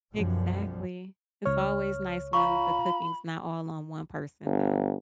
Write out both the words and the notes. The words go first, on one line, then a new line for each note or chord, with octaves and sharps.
Exactly, it's always nice when the cooking's not all on one person though.
B1 F#2 F3 G3
C#2 C#5 F6
F4 F5 A#5 B5 C#6
G1